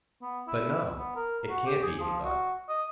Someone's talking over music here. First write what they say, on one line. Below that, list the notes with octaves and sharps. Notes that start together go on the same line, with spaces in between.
"But no, it can't be!" he thought.
B3
E4
B3
A#4
F#4
G4
G#4
F3
F#4
D#5